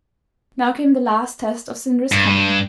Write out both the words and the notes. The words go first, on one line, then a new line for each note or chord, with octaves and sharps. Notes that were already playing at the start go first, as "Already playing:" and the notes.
Now came the last test of Sindri's cunning.
G2